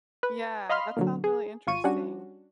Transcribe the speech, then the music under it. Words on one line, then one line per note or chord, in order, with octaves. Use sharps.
Yeah, that sounds really interesting.
B4
D#5 F5 B5 C6 F6
A#2 D3 F#3
G#4
G#1 F4 C#6 D#7
G3 C#4 D4 F#4